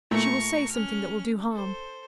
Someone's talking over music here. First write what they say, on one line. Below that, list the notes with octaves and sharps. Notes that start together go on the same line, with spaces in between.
She will say something that will do harm.
A#2 A3 A#5 C#6
C#4 F6
A4 C5